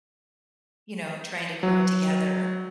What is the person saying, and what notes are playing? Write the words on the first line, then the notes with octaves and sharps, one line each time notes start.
you know, trying to grow together,
F#3